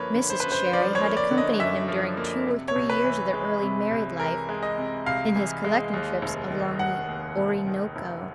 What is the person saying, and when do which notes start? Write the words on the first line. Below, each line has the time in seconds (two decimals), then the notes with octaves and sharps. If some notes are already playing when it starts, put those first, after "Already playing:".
Mrs. Cherrie had accompanied him during two or three years of their early married life in his collecting trips along the Orinoco.
Already playing: F#2 D3 F3 A#3 B4 C#5
0.15 D3
0.30 C5
0.40 F#2 B4
0.52 C5
0.73 F3 D5
0.95 C#5
1.02 A#3
1.17 D5
1.31 D3
1.38 D#5
1.59 F#2 E5
1.88 F3
2.17 A#3
2.47 C3
2.68 C#5
2.76 C2
2.90 B4
3.04 E3
3.33 G#3
3.63 C3
3.91 C2
4.20 E3 A#4
4.49 G#3
4.63 D#5
4.78 C3
5.06 C2 F5
5.36 E3
5.65 G#3
5.94 D#2
6.22 F1
6.51 D#3
6.79 F1 F#5
7.09 D#2
7.37 F1
7.67 D#3
7.96 F1